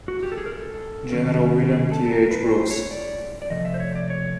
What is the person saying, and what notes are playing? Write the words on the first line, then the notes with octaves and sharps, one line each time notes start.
General William T. H. Brooks.
F#4
G4
A4
G#4
A#4
A4
C3 D#3 F#3 A#3 C#4
G#4
A4
A4
A#4
B4
C5
C#5
D5
D5
C3 F3 A3 D#5
E5
C5
C#5
D5
C#5